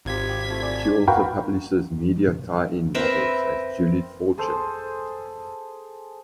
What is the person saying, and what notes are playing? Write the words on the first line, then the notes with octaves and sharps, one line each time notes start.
She also publishes media tie-in novels as Julie Fortune.
G#1 C3 F4 G4 G#6 B6
G5
A3 F4
D5 G#5
F#4 A#4 B4 F5 G5
C4 A#4 B4 E5
G#4 A4 C5